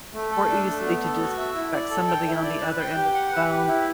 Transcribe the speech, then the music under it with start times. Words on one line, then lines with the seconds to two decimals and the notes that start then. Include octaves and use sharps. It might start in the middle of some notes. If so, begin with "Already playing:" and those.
more easily to dis spect somebody on the other end of the phone
0.13 A3
0.31 A4
0.49 D4
0.66 A3
0.84 B3
1.02 A4
1.20 F#4
1.38 E5
1.55 E4
1.73 D5
1.90 A4
2.08 G5
2.26 E4
2.43 D5
2.61 B4
2.79 G5
2.97 G4
3.15 F#5
3.32 B4
3.50 G4
3.68 E4